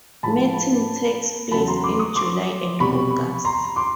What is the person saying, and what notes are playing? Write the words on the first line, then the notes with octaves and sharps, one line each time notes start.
Mating takes place in July and August.
A2 F3 G#3 A5 B5
E2 C#3 F#3 A5 B5
A#5 C6
C6 D6
C#6 D#6
C6 D6
C2 B2 G3 B5 C#6
A#5 C6
C6 D6